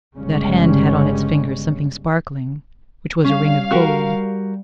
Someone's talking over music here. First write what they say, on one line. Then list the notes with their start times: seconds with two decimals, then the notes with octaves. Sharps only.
That hand had on its finger something sparkling, which was a ring of gold.
0.17 G1 G2 C#3 G3 G#3 C#4
3.24 G3 C#4 F5
3.71 F#4 G4 A#4